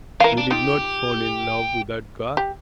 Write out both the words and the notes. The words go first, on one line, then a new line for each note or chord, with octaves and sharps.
"You did not fall in love with that girl?"
E3 A#4 F5
D4
D#4 F4 G4
G4